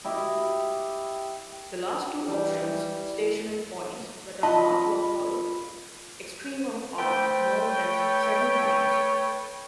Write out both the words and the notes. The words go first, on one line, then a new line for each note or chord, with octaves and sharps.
The last two options-stationary points that are "not" local extremum-are known as saddle points.
E4 G4 D#5
E3 G3 E4
F4 D#5 A5 B5
A3 B4 C5 G5
C#5